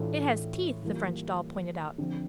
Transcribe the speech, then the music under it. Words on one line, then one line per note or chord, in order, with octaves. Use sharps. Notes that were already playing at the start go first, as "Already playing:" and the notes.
"It has teeth!" the French doll pointed out.
Already playing: A2 E3 A3 D4 F4
E3 G3 A#3 F4
D3 F3 C4